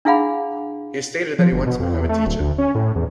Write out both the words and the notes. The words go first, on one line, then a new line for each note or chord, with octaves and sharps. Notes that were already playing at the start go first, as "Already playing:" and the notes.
He has stated that he wants to become a teacher.
D4 E4 G#4 F5 F#5 B5
F3
G1
B2
F2
E2
A3
D1
D2
C#4
A2
E2